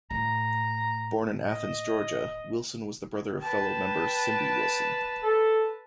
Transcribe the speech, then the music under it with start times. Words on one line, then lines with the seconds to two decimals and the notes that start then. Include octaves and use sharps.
Born in Athens, Georgia, Wilson was the brother of fellow member Cindy Wilson.
0.11 A2 A#5
1.48 D#5
3.42 B4 G5 A5
5.23 A4